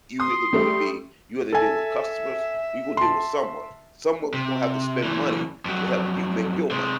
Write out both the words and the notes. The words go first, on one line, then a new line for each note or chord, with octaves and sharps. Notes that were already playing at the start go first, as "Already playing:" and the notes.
You either gonna be you either deal with customers or you gonna deal with someone. Someone's gonna have to spend money to help you make your money,
C6 D#6
G3 A3
A4 E5 G#5
A5 C6
C3
A#2 E3
F2 F#3
C3 G#3